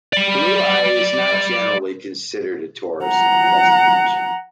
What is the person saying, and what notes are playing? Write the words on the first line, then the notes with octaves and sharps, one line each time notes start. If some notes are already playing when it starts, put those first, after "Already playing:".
Kahului is not generally considered a tourist destination.
D5 B5
F#5 A#5